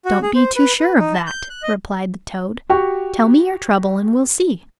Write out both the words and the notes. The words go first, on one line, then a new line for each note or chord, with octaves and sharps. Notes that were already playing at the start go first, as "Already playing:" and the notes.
'Don't be too sure of that,' replied the toad; 'tell me your trouble and we'll see.'
F#4
G#4
C5
B4
B4
D#4
A5
G6
F#6
D#5
F#4 G4 C#6